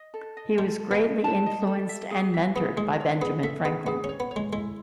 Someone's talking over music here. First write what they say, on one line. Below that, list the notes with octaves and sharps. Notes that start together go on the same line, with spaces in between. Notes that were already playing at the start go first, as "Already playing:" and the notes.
He was greatly influenced and mentored by Benjamin Franklin.
Already playing: D#5
A4
D#5
G#3 A4
A4
B3
D#5
A5
D#5
A4
E5
G#4
E5
B3 G#4
G#3 G#4
C#5
B3 G#4
A3 E5
B3 G#4
B3 G#4
C#4 C#5
B3
C#5
G#3
G#3 E4